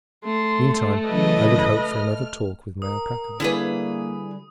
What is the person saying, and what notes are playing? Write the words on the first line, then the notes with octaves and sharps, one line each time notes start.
Meantime, I would hope for another talk with Mayor Packard.
A3 C6
C#3 E3 F#3 B4 D#5
F6
A#4 D#6
D3 G3 A#3 E4 G#4 B4